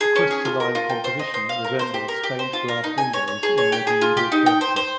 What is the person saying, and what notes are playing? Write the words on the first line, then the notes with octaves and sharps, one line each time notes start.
The crystalline composition resembles stained glass windows in medieval churches.
G#4
C#4
G#4
F4
A#4
F4
G5
C5
D#5
C5
F5
A#4
C5
G4
A#4
G4
C5
F4
A#4
D#4
G#5
C#5
C#5
G#4
C#5
G4
G#4
F4
G4
D#4
G5
C5
C5